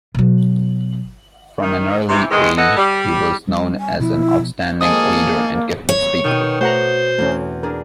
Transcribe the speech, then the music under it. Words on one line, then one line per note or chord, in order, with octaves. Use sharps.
From an early age, he was known as an outstanding leader and gifted speaker.
B2 F#3
D#3
C3 E3
E2 G#2 D#3 G#3
E3 A4 D#5 F#5
G3
G3
G#5
B2 F3 E4
F2 D#3 G#3 A#3 G#4 A4 D#6
C#5
B2 D#3 G5 D#6
A3 F#4 C5 F#5 A#5
E2 A3 C4 C#4
D4 G#4 A#4